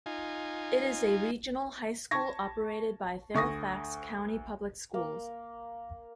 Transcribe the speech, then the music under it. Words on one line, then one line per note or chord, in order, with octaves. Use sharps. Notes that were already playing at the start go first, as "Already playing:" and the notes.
It is a regional high school operated by Fairfax County Public Schools.
D#4 F4 G#5
A5 C#6 G#6 A#6
D2 C#6 D#6 A#6
A#3